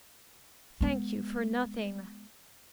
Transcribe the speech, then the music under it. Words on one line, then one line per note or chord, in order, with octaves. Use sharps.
"Thank you for nothing."
G#3 B3